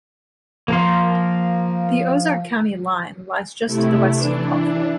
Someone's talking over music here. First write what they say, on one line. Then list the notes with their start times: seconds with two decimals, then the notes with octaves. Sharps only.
The Ozark County line lies just to the west of Caulfield.
0.68 F3 A#3 A#4 C6
3.66 C3 A3 E4
4.10 E3 D4